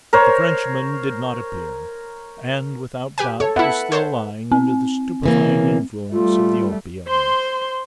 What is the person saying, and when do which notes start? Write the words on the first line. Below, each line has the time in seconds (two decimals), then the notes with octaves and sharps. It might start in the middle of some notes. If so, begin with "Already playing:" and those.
But the Frenchman did not appear, and, without doubt, was still lying under the stupefying influence of the opium.
0.13 A#4 C5 C#5
3.18 G4 B4 G#5
3.40 A4 C#5
3.56 B3 E4 B4 E5 F#5
3.92 C5 C#5 A5
4.52 C4
5.23 C#3 E3 A#3
6.12 G3 A3 F4
7.08 C5 C6